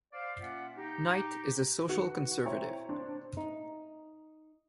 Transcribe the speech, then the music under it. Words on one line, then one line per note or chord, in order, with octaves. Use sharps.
Knight is a social conservative.
C5 D5 F5
A#3 C#4 F4 D5 E5 F#5
D#4 G4
D#3 F#4 B4 C#7
C4 E4 C#5 G5 A#5
C4 D4
D#4